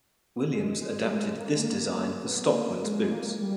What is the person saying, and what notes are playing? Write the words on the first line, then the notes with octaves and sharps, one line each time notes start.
Williams adapted this design for stockmen's boots.
G#3
G#3
G3
G#3
A#3
G#3
A#3
B3
A#3
G#3
G#3
A#3
G3